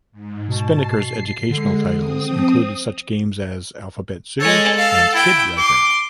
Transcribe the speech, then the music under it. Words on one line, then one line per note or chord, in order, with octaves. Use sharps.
Spinnaker's educational titles included such games as "Alphabet Zoo" and "Kidwriter".
G#2
B2 A5
C7
D3 G#3
C4 D#6
F3
G#3 A4 C#5
F5
E4 G5
C6 D6